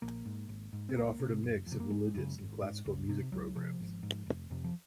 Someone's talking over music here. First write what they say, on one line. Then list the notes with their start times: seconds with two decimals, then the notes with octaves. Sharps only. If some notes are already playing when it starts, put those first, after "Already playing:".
It offered a mix of religious and classical music programs.
0.02 A#1 A#3
0.26 G#2
0.49 G#1
0.73 G#2
0.89 C4
0.96 C#2 A#3
1.20 C3
1.43 F#1
1.66 F2
1.72 C3
1.80 A#3
1.90 G#1 G#3
2.14 F#2 C#3
2.38 G#1
2.62 G#2
2.86 C#2
3.09 C3
3.32 C#2 F#3
3.56 C3 F3
3.80 G#1
4.03 G#2
4.26 F1
4.50 F2 C3
4.64 F3